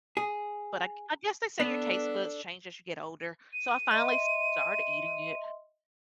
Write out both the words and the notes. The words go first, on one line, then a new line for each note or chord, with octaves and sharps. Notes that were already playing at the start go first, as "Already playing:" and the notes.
But I g I guess they say your taste buds change as you get older, so I finally started eating it.
G#4
B3 D4 A4
D#7
D#5 E5 C6